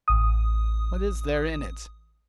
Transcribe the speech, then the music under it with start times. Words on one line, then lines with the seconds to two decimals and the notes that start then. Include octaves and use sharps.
What is there in it?
0.08 A1 D#6